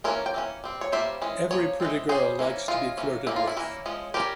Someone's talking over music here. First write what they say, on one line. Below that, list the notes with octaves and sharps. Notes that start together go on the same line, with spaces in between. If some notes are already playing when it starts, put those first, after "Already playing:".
Every pretty girl likes to be flirted with.
E3 A#3 C#4 A#4 C#5
G5
E3 A#3 C#4
G3 C4
C#5
G3 A#3 C#4 C5 E5
E3 G#3 C#4
F3 A#3 C#5
E3 G#3 C4
G3 C#4 G#4 C5
E3 A#3 C#4
E3 G#3 C#4 F4
E3 A#3 C#4
G3 A#3 C#4 E4
F4
E4
E3 A#3 C#4
F3 G#3 C#4
G3 C#4 G4 A#4